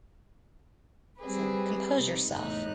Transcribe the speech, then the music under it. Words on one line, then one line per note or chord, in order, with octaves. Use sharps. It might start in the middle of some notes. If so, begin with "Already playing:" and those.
Cousin, compose yourself.
G3 C4 G4 G#4 B4
C3 D#4
E2 A2 A3 D#4 D#5 F#6